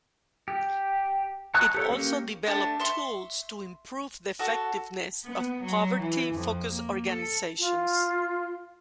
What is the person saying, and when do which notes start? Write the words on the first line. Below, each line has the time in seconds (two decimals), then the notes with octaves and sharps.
It also develop tools to improve the effectiveness of poverty-focused organizations.
0.48 G4
1.54 A5 A#5 C#6 D#6 F#6
1.75 G4 A4 C#5
1.90 A#3 C#4 G4
2.46 A3 D4 G4 A5
2.80 E5 C6 C#6
4.39 F#4 A4
5.25 B3
5.63 F#3
5.99 E3
6.35 F2
6.69 A#3
7.07 A4
7.59 F4